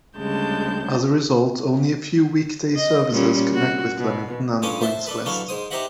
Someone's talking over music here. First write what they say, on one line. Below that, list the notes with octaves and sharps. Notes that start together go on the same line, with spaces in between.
As a result, only a few weekday services connect with Flemington and points west.
D2 C#3 G3 G#3 A5 G6
D#5
A#2 G3 C#4
F#4
B2
G2 F3 C#4 A4 D6 D#6
C5 E5 A5 C6
D4 A4 B4
D3 E3 F#3 A4 F5 C6
G#2 C5 D#6
D#4 G4 C5 D#5 E5 F#5